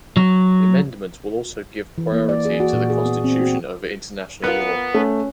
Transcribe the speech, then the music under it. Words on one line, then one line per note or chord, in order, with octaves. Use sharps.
The amendments will also give priority to the Constitution over international law.
F#3
E3
A#3
D5
G#4
F#4
A#2
G#4
B3
C4
F#4
B3 F4 A#4 B4 F#6
A3 C#4